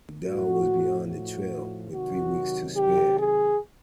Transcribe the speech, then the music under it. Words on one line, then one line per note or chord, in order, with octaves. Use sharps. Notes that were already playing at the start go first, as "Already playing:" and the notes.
And MacDougall was beyond the trail, with three weeks to spare.
A2 F3 F#4
F#4
C3 D#3 F#3 F#4
G4
G#4